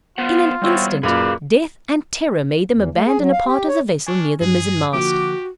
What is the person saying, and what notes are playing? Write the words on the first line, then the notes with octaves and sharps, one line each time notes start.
In an instant, death and terror made them abandon a part of the vessel near the mizen-mast.
B3 F4 C5 F#5
G3 B3 C4 E4 F#4 C#5
F#2 A#2 A#3 G#4 B4 D5 F5
E2
A3
G#4
F#3
F5
G4
C#5
D4 G#5 C#6 F6
G2 F3 G3 G#4
D3 F3 A#3 F#4 G4 D6